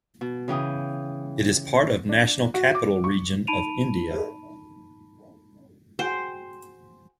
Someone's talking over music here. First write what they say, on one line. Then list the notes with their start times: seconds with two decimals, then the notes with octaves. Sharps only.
It is part of National Capital Region of India.
0.21 B2
0.48 C#3 E3 G5 D#6
2.09 D4
2.54 F#4
2.75 D6
3.04 C#6
3.47 D#4 A5 B5 D7 D#7 F7
5.99 F#4 G#4 C5 G5